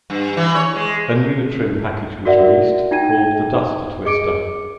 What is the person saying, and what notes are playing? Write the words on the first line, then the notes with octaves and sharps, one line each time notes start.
A new trim package was released, called the Duster Twister.
G2
E3
C#5
G#3
F#4 A#4 D5 E5 F#5
D#4 F4 G5 G#6 D#7
G#4 D#5 D6 C#7 D7